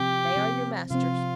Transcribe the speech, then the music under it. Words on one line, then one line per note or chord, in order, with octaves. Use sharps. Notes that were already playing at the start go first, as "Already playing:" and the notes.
They are your masters.
Already playing: C3 F3 C4 G4
C3 F3 C4
C3 F3 C4 F4